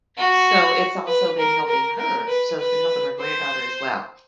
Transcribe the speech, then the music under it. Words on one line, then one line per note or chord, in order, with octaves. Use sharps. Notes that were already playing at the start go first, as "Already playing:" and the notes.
So, it's also been helping her, so it's been helping my granddaughter as well.
F#4
B4
A#4
A#4
A#4
B4
B4
C5